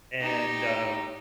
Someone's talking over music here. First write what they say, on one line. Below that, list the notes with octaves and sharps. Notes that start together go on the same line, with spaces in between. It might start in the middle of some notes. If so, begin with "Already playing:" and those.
and, um,
D#4 G4